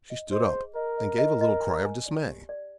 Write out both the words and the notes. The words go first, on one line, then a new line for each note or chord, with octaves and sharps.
She stood up and gave a little cry of dismay.
D#5
C5 D#5
G#4
A#4 D#5
D#5
D#5
D#5
G#5
G#5
D5
G4
D5